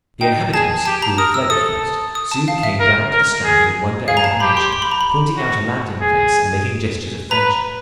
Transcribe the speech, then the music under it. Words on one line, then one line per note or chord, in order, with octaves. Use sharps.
The inhabitants, who had fled at first, soon came down to the strand in wonder and admiration, pointing out a landing-place, and making gestures of friendship.
D#4 G5
G#4 A5
G4 A5
A#5
A#4 D#6
E6
A4 D#6
D#6
A5
F5
E5
A#4
A#4
G#4
G#4 F5
A#5
A5
G4 B5
C6
C6
B5
A#5
B5
F#4
G#4
B4 A#5